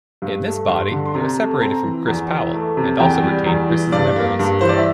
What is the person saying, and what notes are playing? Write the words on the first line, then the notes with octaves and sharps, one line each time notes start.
In this body, he was separated from Chris Powell, and also retained Chris' memories.
G2
A3
G2 C6
D3
C6
C3 A#5
A3
C4 A#5
E3
E2
E3
A3
C3
E2 G5
G3
E2
E3
G2 D5
A#3
G2
E3 C5
D5
E5